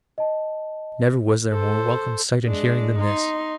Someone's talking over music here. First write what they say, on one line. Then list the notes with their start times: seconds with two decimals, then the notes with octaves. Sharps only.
Never was there more welcome sight and hearing than this.
0.18 D#5 A5
1.51 A4 C5
2.46 G#3 D4
2.98 D#4 C6